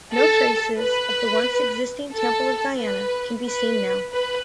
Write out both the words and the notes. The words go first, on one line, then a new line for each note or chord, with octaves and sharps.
No traces of the once existing Temple of Diana can be seen now.
A4
B4
A4
B4
B4
B4